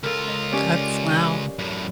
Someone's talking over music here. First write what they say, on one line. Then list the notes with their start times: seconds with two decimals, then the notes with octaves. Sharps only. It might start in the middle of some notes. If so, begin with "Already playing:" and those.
That's wow.
0.03 C#2 F4 A4 A#4
0.27 D#5
0.52 C#4 G4 D5
1.59 F#2 A2